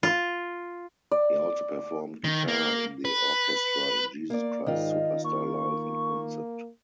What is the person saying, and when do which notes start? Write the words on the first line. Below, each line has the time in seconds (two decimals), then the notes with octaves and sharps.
He also performed guitar in the orchestra in "Jesus Christ Superstar Live in Concert".
0.03 F4
1.11 D5
2.24 D#3
2.48 A#3
3.05 B4
4.30 A#3 D5
4.66 G#2 D#3 F4 D#5
5.25 A#3 C#6